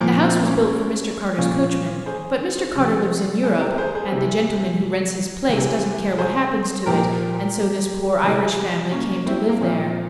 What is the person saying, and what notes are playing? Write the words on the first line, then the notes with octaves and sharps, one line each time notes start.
The house was built for Mr. Carter's coachman, but Mr. Carter lives in Europe, and the gentleman who rents his place doesn't care what happens to it, and so this poor Irish family came to live there.
A#2 F3 A#3
C4
A#3 C#4
A#2 F3 C#4 F4
G#4 C5
C3 F3
G#4 C5
G4 A#4
G#4 C5
G#4 C5
C3 E3
C3 E3
G#4 C5
A#2 F3 G4 A#4
C3 E3
A#3 C#4
C4 E4
A#3
A#2 F3 C4